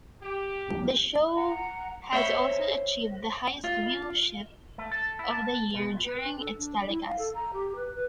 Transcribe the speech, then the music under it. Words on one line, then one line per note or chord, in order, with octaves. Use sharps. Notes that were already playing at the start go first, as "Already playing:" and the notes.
The show has also achieved the highest viewership of the year during its telecast.
G4
F#5 A#5
C5 C#5 E5 B5
F4
A3
A4
E4
A5
B2
B4
D4
A4
D4
E4
F5
A4
A#5
G4
B4
B4